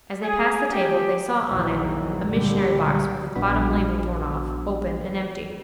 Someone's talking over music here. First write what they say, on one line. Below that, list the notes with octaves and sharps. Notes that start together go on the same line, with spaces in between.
As they passed the table they saw on it a missionary-box with its bottom label torn off, open and empty.
G#4
G4
A#1 E2 D#3 E3 F#3
C#2 A#2 D3 G3
A#1 F#3 B3 D4 F#4 B5